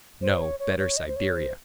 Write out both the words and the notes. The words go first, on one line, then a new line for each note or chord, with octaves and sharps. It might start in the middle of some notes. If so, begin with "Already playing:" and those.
No, better Siberia!
C5
C#5
C#5
C#5
D#5
C5
C#5
C5